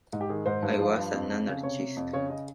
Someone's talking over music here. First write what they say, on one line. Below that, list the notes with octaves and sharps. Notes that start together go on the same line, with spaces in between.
I was an anarchist.
G#2
G4
D#3 G#4
G#2 C5
G2
F3
G2
F2
F2
C#3
C3 C#5
C3
F2
C#3 C#5
C#3 D#5